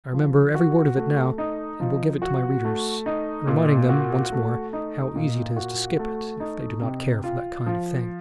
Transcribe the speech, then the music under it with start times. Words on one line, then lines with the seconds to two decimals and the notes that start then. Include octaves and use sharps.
I remember every word of it now, and will give it to my readers, reminding them once more how easy it is to skip it, if they do not care for that kind of thing.
0.13 F3
0.55 F#4
0.97 A3
1.38 D#4
1.80 F3
2.22 F#4
2.65 A3
3.06 D#4
3.47 A#2
3.89 F#4
4.32 A3
4.73 D#4
5.16 A#2
5.56 F#4
5.99 A3
6.40 D#4
6.82 C3
7.24 F4
7.66 F3